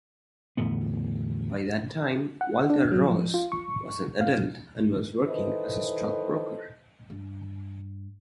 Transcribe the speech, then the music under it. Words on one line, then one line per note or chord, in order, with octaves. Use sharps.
By that time, Walter Ross was an adult and was working as a stockbroker.
E2 A2 D3 B3
F#5
D4
F#3
F3
F4
C#6
F5
D#3 E3 A4 B4 C5 D#5
G2